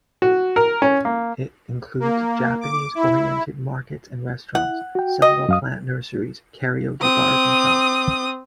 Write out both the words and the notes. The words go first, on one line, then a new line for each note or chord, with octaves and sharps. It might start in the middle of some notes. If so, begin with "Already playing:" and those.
It includes Japanese-oriented markets and restaurants, several plant nurseries, karaoke bars and shops.
F#4
A#4
C#4
A#3
A#3
D6
E4
E4 F#5
F#4 G5
D#5
F#2 F5 D#6
C4 D#6